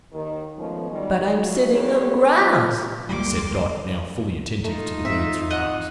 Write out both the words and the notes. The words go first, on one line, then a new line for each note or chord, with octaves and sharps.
"But I'm sitting on grass," said Dot, now fully attentive to the bird's remarks.
D#2 D#3
F3 G#3 A3 B3 C#4
D#3 F#3 G3
F#3 D#4 F4
E2 G3 G4 A4 C#5
F#2 G#3 F4
G#1 D2 G3 G#3 A#3 C6 D6
A3 D#4 F4
G#2 C4 E5
D#5 F#5 F#6